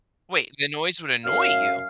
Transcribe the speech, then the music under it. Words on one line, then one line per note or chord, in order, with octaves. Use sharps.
Wait, the noise would annoy you?
F#2 F5